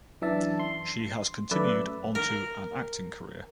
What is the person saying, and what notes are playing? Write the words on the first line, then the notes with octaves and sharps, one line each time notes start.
She has continued on to an acting career.
F#2 E3 D4 E5 A5
C6
F#2 A3 B4 D5 E6
A#4